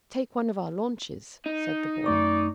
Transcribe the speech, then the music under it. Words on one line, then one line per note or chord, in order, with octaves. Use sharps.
"Take one of our launches," said the boy.
D#4
F#2 A3 D5 C#6